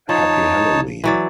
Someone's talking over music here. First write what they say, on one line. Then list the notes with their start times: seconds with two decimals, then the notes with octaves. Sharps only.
Happy Halloween!
0.09 F3 D#4 C#5 A5
1.04 E3 F#3 D5